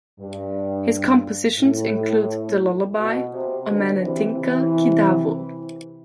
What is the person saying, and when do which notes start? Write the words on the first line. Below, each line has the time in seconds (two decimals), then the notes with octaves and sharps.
His compositions include the lullaby "Omanathinkal Kidavo".
0.20 G2
1.59 A2
2.98 B2
3.33 C3
3.67 B2 D3
4.01 C3 E3
4.37 C3 E3